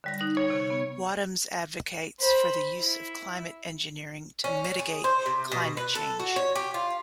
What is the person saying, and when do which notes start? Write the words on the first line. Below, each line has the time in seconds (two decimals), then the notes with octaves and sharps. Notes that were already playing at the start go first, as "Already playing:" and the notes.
Wadhams advocates for the use of climate engineering to mitigate climate change.
0.04 D3 G3 A#6
0.19 D#4 F#6 A#6
0.37 C#5
0.50 C3
0.70 B3
2.20 C5 B5
2.79 E4
4.44 C#4
4.64 C#4
4.79 G#4
5.04 C5
5.26 C3
5.52 B2
5.77 B4
5.95 A4
6.20 F#4
6.36 C#5
6.55 G4
6.74 F4